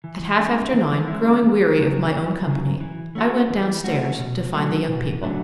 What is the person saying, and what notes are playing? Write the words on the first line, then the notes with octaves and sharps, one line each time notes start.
At half after nine, growing weary of my own company, I went downstairs to find the young people.
E3
G#3 C#4 E4
E3
G#3 C#4 E4
E2
C#3 F#3
E2
C#3 F#3
E3
A3 C#4 F#4
E3
A3 C#4 F#4
B2
F#3 A3 D4 F#4
B2
F#3 A3 D4 F#4